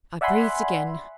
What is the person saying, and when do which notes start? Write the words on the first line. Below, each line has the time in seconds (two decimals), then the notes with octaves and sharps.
I breathed again.
0.21 D5 E5 F#5 G#5 B5 C6